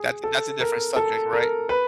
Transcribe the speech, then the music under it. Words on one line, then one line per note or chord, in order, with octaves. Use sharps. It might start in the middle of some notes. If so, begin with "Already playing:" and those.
That's that's a different subject, right?
Already playing: G#4
A4
A#4
A4
A#4
B4